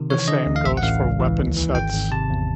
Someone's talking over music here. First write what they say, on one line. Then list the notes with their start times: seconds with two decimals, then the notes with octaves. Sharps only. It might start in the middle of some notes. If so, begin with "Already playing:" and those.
The same goes for weapon sets.
Already playing: C3 D#3
0.10 E3 C#5
0.28 D3 D#5
0.46 D2
0.56 F5
0.64 A1 E5
0.77 F#5
0.83 A1 F5
1.02 C#2
1.20 E3
1.38 D#2
1.57 E3
1.75 G#1 G5
1.94 G#1
2.11 C3 A5
2.30 E2